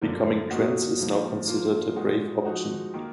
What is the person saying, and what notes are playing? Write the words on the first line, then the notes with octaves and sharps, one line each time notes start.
Becoming trans is now considered the brave option.
F#2 D3 F3 A#3
A#2 F#3 A#3 D#4 F#4
G#2 F3 A#3
F3 A#3 F4
A#2 G#3 D#4 F#4
F3 G#3 D#4 F#4
D#3 A#3